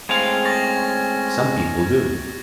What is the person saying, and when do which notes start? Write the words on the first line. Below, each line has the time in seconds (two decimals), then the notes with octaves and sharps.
Some people do.
0.09 A2 G#3 C4 C#4 F5 G#6
0.45 C#6 A6 A#6